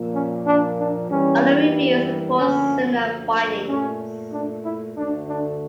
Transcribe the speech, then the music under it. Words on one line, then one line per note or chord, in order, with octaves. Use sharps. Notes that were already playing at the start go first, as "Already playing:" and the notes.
Other reviews report similar findings.
Already playing: A#2 F3 A#3
C#4
D4
D4
G2 E3 G3 A#3 C#4
D2 D3 F3 A#3 C#4
A#2 A3 C#4
D4
E4
D2 D3 A3 D4
D4